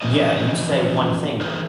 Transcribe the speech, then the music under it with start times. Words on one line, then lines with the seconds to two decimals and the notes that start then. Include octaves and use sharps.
yeah, you say one thing
0.01 E3 F3 C#4 D#4 D#5
1.41 E3 D#4 G#4 A#4 C5